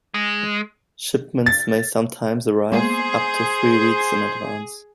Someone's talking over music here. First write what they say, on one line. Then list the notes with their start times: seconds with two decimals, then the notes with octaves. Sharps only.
Shipments may sometimes arrive up to three weeks in advance.
0.14 G#3
1.46 A6
2.72 G#3 A#3 B3 G#4 C5